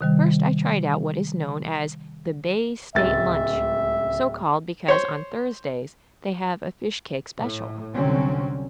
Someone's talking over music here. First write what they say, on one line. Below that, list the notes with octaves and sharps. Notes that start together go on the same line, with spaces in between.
First, I tried out what is known as the Bay State Lunch, so called because on Thursdays they have a fishcake special.
C3 D#3 G3
D1 C#2 E5 A6
C5 C#5
A2
C2 D3 F#3 C4 C#4